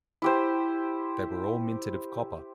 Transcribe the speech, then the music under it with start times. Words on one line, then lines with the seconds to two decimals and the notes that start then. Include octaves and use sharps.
They were all minted of copper.
0.22 E4 G4 C5